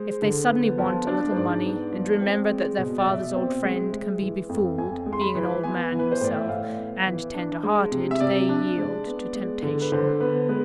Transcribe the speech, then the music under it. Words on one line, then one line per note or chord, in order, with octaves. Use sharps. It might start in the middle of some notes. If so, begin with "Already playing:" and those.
If they suddenly want a little money and remember that their father's old friend can be befooled, being an old man himself, and tender-hearted, they yielded to temptation.
Already playing: G#3 C5
D3
B3
F3
D4
C5
G#2 D5
B3
F3
C4
G#3
B2
D5
B2 E5
C4
G#3
G#3
E3
F2
F2 G#5
G#3
C6
B5
E3
B3 G#5
E3
B4
C5
A2 D5
E5
A2 F5
B3
E3
D4
G#3
C3
E5
C3 D5
D4
G#3
B3
G#3
D3
B4
D3 C5
B3 B4
G#3 B4